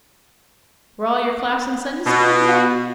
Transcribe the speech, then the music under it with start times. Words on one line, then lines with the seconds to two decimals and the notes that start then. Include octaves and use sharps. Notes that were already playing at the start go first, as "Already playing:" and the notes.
"Were all your class in Sunday School today?"
2.06 B2